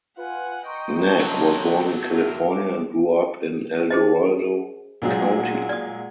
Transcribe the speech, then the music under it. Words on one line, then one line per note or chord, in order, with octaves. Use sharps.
Nag was born in California and grew up in El Dorado County.
F4 B4 F#5 G#5
D#5 G5 A#5 C6 C#6
F#3 A4
G2 A#4 E5
E3 C#4 D6
G#4 C5 D#5
A#2 F#3 G#3
D5 D#6